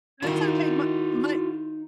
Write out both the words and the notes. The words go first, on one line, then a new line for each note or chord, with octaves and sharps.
That's okay. My my m
D#3 D#4 E4 F#4 F5 C6